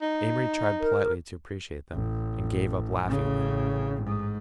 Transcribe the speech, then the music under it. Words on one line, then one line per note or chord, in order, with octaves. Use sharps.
Amory tried politely to appreciate them, and gave up laughingly.
D#4
A#4
A1
A1 C#3
G#2